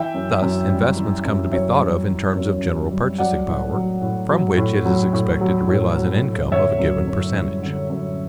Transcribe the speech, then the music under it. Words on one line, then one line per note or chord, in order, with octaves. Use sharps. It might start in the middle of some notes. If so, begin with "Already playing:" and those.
Thus investments come to be thought of in terms of general purchasing power, from which it is expected to realize an income of a given percentage.
Already playing: E3 E5 G5
F#2
F#2
G3
E3
F#2
F#2 C#5 E5
G3
E3
F#2
F#2
G3
F#3 D5 F#5
A2
F#3
A2
F#3
A2
F#3
A2
F#3
A2
F#3
A2
D3 C#5 E5
F#2
F#2
G3
D3
F#2